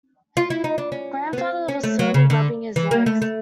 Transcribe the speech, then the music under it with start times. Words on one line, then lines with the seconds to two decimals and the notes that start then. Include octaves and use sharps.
Grandfather was slowly rubbing his legs.
0.37 F4
0.50 E4
0.64 D#4
0.78 D4
0.92 C#4
1.33 B3
1.38 C4
1.68 C#4
1.84 A3
1.99 F#3
2.14 C#3
2.30 D3
2.76 E3
2.91 A#3
3.06 A3
3.22 A3